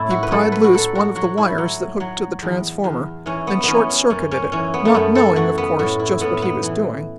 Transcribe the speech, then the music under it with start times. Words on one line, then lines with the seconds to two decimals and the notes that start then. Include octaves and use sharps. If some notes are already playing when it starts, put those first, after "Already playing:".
He'd pried loose one of the wires that hooked to the transformer, and short-circuited it, not knowing, of course, just what he was doing.
Already playing: A2 A3 C#4 E4
0.10 F#4
0.23 B4
0.31 F#3 A4
0.52 B4
0.64 F#4
0.73 F#3 A4
0.95 F#4
1.15 F#3 F#4
1.37 E4
1.58 F#3
2.00 F#3
2.43 E2
2.84 E2
3.26 E3 C#4
3.47 B3
3.64 E3 B3 C#4
3.89 C#4
4.10 F#2 C#4
4.31 C#4
4.52 E3 C#4
4.74 B3
4.85 A3
4.94 F#2 B3
5.15 A4
5.36 E3 F#4
5.58 B3
5.79 A2 F#4
5.99 E4
6.20 A2 B3
6.42 B3
6.63 E3